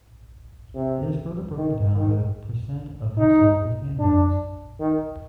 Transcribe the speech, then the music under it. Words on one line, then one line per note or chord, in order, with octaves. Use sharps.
It is further broken down by the percent of households with handguns.
C3
D#3
D#3
D#4
D4
D#3